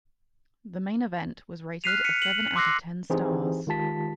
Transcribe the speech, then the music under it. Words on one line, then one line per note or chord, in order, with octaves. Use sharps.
The main event was rated a seven out of ten stars.
F6 F#6 B6 C7 D#7 F7
B6 C#7 D#7
F#7
C6 D6 E6 F#6 A#6 C7
E3 C4 D#4 G4 G#4 C5
D#3 G#3 F4 G4 A5 B6